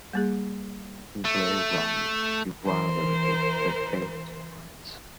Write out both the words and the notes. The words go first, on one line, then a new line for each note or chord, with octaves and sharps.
He glared round, bewildered, but prepared to fight.
G3 A#3 G#4
A3
E3 A#4 C5